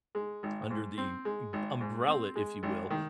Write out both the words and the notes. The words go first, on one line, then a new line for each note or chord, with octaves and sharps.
under the m umbrella, if you will,
G#3
G#1
G#2
C4
G#3
G#1
G#2
C4
G#3
G#1
D#3